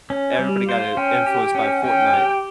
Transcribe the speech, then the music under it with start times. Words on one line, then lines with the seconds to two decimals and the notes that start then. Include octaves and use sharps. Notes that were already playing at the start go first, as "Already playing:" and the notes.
everybody got, in influenced by Fortnite
0.10 C#4
0.39 G3
0.68 C5 F5
0.97 C#4 G5
1.27 G4
1.55 C#4
1.84 C#4 G5
2.14 G4